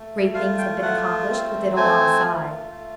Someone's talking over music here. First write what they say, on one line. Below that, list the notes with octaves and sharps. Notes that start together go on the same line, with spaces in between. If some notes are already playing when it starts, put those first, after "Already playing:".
Great things had been accomplished, with it alongside.
Already playing: A3
F4 F5
G5
A3 F#5
C4
A3 G#5
F4
A3